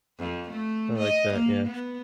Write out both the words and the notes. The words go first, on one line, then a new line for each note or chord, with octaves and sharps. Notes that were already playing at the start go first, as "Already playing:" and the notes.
I like that, yeah.
F2
A3
D#5
A#3
B3